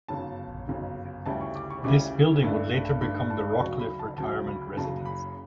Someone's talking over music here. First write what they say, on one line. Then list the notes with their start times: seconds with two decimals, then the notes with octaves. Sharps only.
This building would later become the Rockcliffe Retirement Residence.
0.08 G1 F#2 C#3 A5
0.68 G1 F#2 C#3
1.26 D2 C#3 G3 C#4 E4 A5
1.41 C#6
1.55 D6
1.70 C#6
1.84 D2 C#3 G3 C#4 E4 D6
2.43 G2 D3 A3 D4
3.01 G2 D3 A3 D4 B5
3.30 A5
3.60 D2 C#3 F#3 C#6
3.79 B5
3.99 A5
4.18 D2 C#3 F#3 A5
4.47 B5
4.77 F#1 F#2 C#3 F#3 A5
5.06 B5